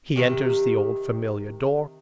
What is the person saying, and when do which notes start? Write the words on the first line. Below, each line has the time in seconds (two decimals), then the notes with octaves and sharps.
He enters the old familiar door.
0.16 C3 D#3 G4